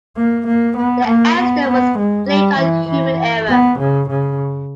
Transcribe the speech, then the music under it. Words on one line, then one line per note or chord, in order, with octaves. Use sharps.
The accident was blamed on human error.
A#3
A#3
B3
A#3
B3
B3
G#3
G3
E3
E3
B3
C#3
C#3